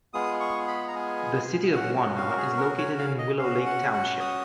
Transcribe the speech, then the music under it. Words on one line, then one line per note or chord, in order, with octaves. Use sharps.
The city of Wanda is located in Willow Lake Township.
G#3 B3 F4 G#4 D#6
C#6
B5
A#5
G#5
F5
C#4 F#4 F#5
F5
A#4
G#4
A#4
C#5
F5
D#5
C#4 F#4 F5
F#5
F#5
D#6